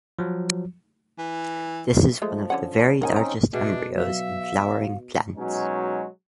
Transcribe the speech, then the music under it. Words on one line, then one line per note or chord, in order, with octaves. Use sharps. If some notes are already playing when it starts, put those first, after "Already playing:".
This is one of the very largest embryos in flowering plants.
F3 F#3
E3
F3 G#3 A3
D3 C#4 F#5
D4
C4 C#4 D#4 A#4 F#5 G#5
D#3 A#5
B2 D4 G#4 E5
F#3 E5 F5
B2 F#3 G#3 C#4 D#4